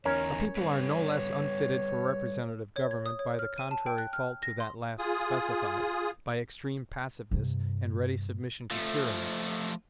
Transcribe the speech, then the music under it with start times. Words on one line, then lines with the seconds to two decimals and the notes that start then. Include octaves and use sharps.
A people are no less unfitted for representative government by the contrary fault to that last specified--by extreme passiveness, and ready submission to tyranny.
0.05 E2 C#4 D#4 A#4 C#5
0.57 G3 A4 B4
2.76 C#5
2.91 G#6
3.06 D#6
3.19 C#5
3.39 F6
3.58 D#7
3.71 A5
3.86 G5
3.98 F#6
4.13 F6
4.43 A#6
4.60 C6
4.99 F4 G#4 D#6
7.31 G2 C3
8.71 F3 A3